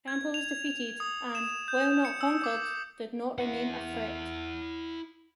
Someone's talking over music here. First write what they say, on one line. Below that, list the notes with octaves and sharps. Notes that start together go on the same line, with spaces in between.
Champa was defeated and, while not conquered, did not remain a threat.
G#6
F7
D#6
E7
G6
C#7
E6
D6
E4 F#5